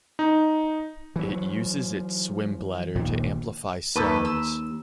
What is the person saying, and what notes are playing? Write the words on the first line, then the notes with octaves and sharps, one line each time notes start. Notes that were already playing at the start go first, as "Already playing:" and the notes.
It uses its swim bladder to amplify sounds.
D#4
E3 F#3
A#1 D#2 A#2
D#2 A4 B4
E6